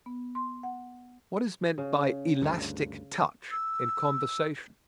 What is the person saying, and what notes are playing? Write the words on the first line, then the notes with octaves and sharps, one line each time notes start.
What is meant by "elastic touch" in conversation?
B3
C6
F#5
C#3
D2 G2
E6